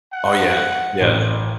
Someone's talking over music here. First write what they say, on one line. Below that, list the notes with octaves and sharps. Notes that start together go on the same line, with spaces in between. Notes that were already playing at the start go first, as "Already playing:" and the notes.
Oh, yeah. Yeah.
F#5
A1